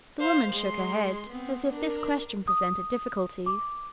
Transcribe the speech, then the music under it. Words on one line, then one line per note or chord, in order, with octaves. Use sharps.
The woman shook her head as if this question presented difficulties.
C5 F5
G#3 C6
B3 C4
D4 A#4
D#6
D6